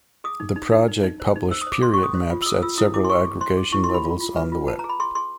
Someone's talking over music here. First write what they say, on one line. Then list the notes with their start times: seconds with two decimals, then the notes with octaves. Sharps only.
The project published period maps at several aggregation levels on the web.
0.24 G#4 D#6
0.40 D#4
0.56 D#4
0.72 D#4
0.88 D#4
1.03 D#4
1.20 C5
1.36 D#4
1.51 C5 E6
1.61 D#6
1.67 C5
1.72 D6
1.83 G#4 C6
1.94 C#4 C#6
2.03 D#6
2.15 C5
2.31 F4
2.42 E6
2.46 G#4 D#6
2.62 F4 E6
2.78 E4 D#6
2.94 E4 D6
3.04 C6
3.10 G#4 C#6
3.25 G#4
3.41 C5 C6
3.57 G#4
3.72 E4 C#6
3.84 C6
3.89 E4
3.94 B5
4.05 F4
4.20 F4
4.36 B4
4.52 F4
4.68 B4 A5
4.79 A#5
4.84 G#4
4.89 B5
5.00 G#4 C6
5.15 G#4 C6